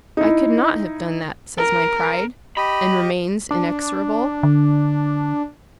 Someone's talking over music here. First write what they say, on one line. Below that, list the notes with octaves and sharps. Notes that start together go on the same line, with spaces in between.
"I could not have done that," says my pride, and remains inexorable.
D#4 E4
A#4
G4 D#5 B5
D4
D3